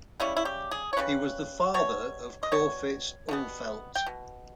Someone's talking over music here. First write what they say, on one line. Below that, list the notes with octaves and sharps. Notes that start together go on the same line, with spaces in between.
He was the father of Corfitz Ulfeldt.
C#3 G3 C#4 E4
E4
G4
G#4
C#5
C#3 G3 C#4 B4
B2 G3 C#5
D#5
B2 G3 C#5
B2 G3 B3
G5
B2